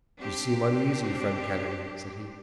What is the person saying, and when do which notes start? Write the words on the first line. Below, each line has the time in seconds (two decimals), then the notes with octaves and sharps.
"You seem uneasy, friend Kennedy," said he.
0.19 C4 D4 G4